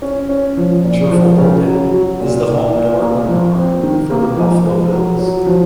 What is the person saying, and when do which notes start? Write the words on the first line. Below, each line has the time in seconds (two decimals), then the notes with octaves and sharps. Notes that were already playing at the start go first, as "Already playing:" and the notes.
Cheerful Bullpen is the home Portland bar for the Buffalo Bills.
0.02 C#4
0.29 C#4
0.57 F3
0.84 A#2
1.11 F3
1.38 C#3
1.66 F#3
1.92 F#3
2.20 A#2
2.47 A#2
2.74 A#2
3.02 A#3
3.28 F3
3.55 C4
3.83 D#3
4.10 A#3
4.37 F3
4.65 F3
4.92 F#3
5.19 F#3
5.46 F3